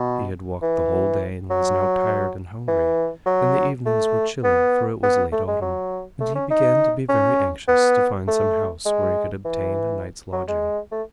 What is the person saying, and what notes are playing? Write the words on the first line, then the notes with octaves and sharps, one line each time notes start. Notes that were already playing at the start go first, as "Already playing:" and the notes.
He had walked the whole day and was now tired and hungry, and the evenings were chilly, for it was late autumn, and he began to be very anxious to find some house where he could obtain a night's lodging.
Already playing: B2
E3
F#3
E3
F#3
A3
B3
B3
A3
G#3
F#3
A3
C#4
D#4
C#4
B3
A3
G#3
E3
F#3
G#3
A3